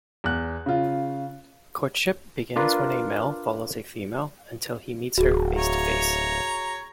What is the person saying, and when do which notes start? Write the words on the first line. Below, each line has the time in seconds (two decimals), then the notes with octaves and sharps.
Courtship begins when a male follows a female until he meets her face-to-face.
0.24 E2 F#6
0.66 C#3 F4
2.56 D4 F4 A#4 B4
5.18 D1 F#4 G#4
5.57 C#5 A#5